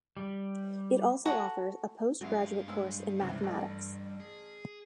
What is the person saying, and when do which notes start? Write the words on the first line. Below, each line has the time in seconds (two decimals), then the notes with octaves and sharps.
It also offers a post-graduate course in Mathematics.
0.17 G3
1.25 F#4 A4 F#5 G#5 A#5
2.21 G2 F#3 G#3 E4 F5
2.68 G#3 E6
3.20 C#2 C3 E3
3.43 A1 A3
4.20 G#4